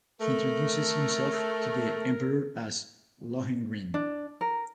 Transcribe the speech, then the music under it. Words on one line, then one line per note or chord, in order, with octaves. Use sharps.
He introduces himself to the emperor as Lohengrin.
A3 A#4
D4
A#4